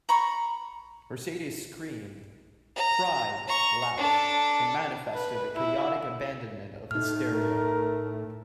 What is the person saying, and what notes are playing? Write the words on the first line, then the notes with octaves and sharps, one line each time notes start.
Mercedes screamed, cried, laughed, and manifested the chaotic abandonment of hysteria.
A#5 B5 C#6
A#5
A#5 C#6
D4 A4
B4
E4
A2 A3 D#4 F6
A#4